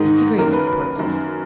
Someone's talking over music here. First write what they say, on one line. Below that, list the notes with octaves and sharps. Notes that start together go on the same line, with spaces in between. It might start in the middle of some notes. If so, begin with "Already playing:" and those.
"That's agreed," said Porthos.
Already playing: G#2 D#3 G#3 D#4
F#2 D#3 A#3 A#4
B4
B4
B4
F#2 D#3 A#3